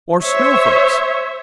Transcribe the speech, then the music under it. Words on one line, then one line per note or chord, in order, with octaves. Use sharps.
Or snowflakes.
C5 C#5 E5